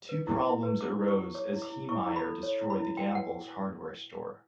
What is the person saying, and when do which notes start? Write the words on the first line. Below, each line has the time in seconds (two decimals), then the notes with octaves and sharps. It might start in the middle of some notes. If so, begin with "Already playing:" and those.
Two problems arose as Heemeyer destroyed the Gambles hardware store.
0.09 B4
0.27 E4
0.45 E4
0.63 B4
0.81 E4 D6
0.99 E4
1.08 C#6
1.17 G4
1.35 C#5 D6
1.53 E4
1.62 D6
1.70 E4
1.89 E4 C#6
2.06 E4
2.16 B5
2.25 A4
2.43 C#5
2.61 E4
2.70 B5
2.79 E4
2.97 F#4 G5
3.15 B4 F#5